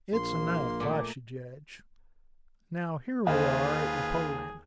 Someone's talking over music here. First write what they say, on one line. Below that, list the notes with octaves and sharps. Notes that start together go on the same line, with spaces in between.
It's enough, I should judge. Now here we are at Napoleon.
A#1 A#3 C6
A#2 A3
D#2 F4 G#4 B4 C5 D#5 F5